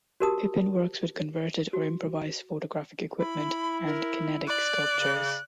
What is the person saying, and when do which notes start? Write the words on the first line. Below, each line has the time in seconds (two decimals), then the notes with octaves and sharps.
Pippin works with converted or improvised photographic equipment and kinetic sculptures.
0.20 F#4 G4 A#4 A5 D#6
1.73 F#4
3.19 E4 B5
3.86 A#4
4.48 D5 F#6
4.98 C#3